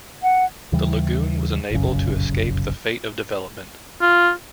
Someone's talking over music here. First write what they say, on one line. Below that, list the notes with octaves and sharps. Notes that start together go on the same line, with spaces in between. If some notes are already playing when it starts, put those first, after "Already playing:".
The lagoon was unable to escape the fate of development.
F#5
D#2 C#3 E3 G3
F1 A#1 F#2 C#3
F4